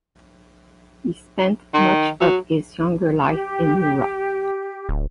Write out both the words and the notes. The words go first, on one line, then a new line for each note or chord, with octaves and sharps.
He spent much of his younger life in Europe.
D#3
F#3
G4
D1